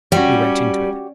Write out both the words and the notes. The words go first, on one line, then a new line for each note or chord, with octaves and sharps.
We went into it.
G3 C#4 F#4 G4